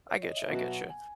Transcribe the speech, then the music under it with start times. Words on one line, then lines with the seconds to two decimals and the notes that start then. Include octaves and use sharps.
I get you, I get you.
0.09 C#5
0.23 D#5
0.37 E5
0.50 B2 F#3 B3 F#4 F#5
0.90 G#5